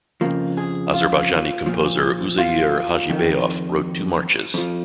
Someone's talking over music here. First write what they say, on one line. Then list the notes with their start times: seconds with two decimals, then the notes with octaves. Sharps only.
Azerbaijani composer Uzeyir Hajibeyov wrote two marches.
0.21 F2 C#3 F3 A#3
0.57 G#4
0.94 F4
1.66 A#2 F3
2.38 F4
3.10 F2 D#3
4.54 F2 F3